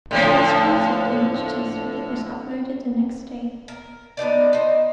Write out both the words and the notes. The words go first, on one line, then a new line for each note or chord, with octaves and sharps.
The first concept image teaser was uploaded the next day.
A2 D3 F3
A#4
B3 D4 D#4 D5
D#4 C5